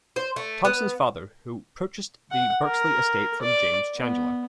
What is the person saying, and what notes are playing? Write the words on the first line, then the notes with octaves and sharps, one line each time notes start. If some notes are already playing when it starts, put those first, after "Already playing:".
Tompson's father who purchased the Bexley estate from James Chandler.
C5
A3
B3
F#5
A#4
D5
B3